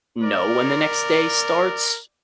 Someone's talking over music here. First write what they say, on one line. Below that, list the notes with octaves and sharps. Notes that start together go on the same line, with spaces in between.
know when the next day starts,
A#4 D5